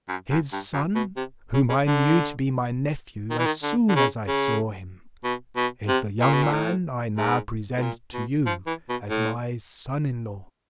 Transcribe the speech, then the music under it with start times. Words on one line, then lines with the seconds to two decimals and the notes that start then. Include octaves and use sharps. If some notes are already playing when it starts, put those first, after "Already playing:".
His son, whom I knew to be my nephew as soon as I saw him, is the young man I now present to you as my son-in-law.
0.09 F#2
0.31 F#2
0.53 G2
0.73 F#2
0.95 B2
1.17 C3
1.54 C#3
1.69 C#3
1.87 D3
3.30 D#3
3.39 E3
3.46 D#3
3.63 D3
3.89 D3
3.95 C#3
4.27 C#3
5.24 B2
5.56 B2
5.88 C3
6.21 A#2
6.33 B2
6.43 A#2
6.53 A2
7.17 G#2
7.77 A2
7.82 A#2
8.13 B2
8.46 F3
8.67 E3
8.89 B2
9.10 A2